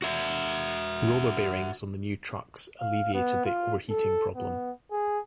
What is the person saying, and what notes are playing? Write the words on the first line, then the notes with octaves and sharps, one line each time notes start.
Roller bearings on the new trucks alleviated the overheating problem.
F#4 E5
F5
B3
F4
A4
B3
G#4